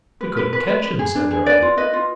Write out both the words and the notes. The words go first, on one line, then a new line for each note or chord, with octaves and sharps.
"We couldn't catch him," said Durham.
B4
B4
B4
B4
B4
G#4
D4
G#4
B4 D5
F4
B4 D#5
F4